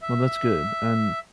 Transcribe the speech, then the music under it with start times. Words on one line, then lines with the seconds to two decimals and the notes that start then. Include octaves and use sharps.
Well, that's good. And,
0.02 E5